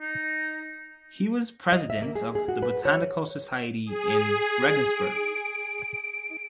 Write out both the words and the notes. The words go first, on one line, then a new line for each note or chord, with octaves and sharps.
He was president of the botanical society in Regensburg.
D#4
D#5
E5
A#3
G#4
G#4
F#4
B4
C#5
G#4
D7